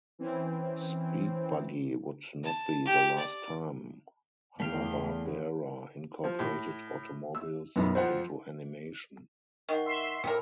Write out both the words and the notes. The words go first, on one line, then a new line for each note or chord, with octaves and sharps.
"Speed Buggy" would not be the last time Hanna-Barbera incorporated automobiles into animation.
E3 C4 C#4
A5
G4
D5
E2 A3 F5 G5
F3
A2
E6
B1 F#2 B3
F2 F3 C5 F#5
D#3 F#5 C#6
E5 C6
A2 C3 A#4 E6 C#7